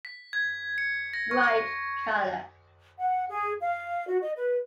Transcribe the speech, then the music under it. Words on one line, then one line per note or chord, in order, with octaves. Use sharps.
Bright color.
B6
G#6
C#7
A#6
C#6
F#5
G#4
F5
F#4
D#5
B4